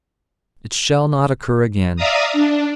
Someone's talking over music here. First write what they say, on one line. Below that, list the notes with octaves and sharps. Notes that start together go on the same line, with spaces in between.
'It shall not occur again.
D5 E5 F5 A#5 D#6
D4